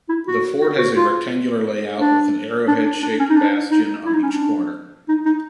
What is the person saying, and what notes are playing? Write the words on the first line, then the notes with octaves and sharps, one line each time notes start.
The fort has a rectangular layout, with an arrowhead-shaped bastion on each corner.
E4
F#4
F#4
F#4
F4
D4
D4
D4
D4
C#4
D#4
D4
D#4
E4
D#4
C#4
D4
D#4
D#4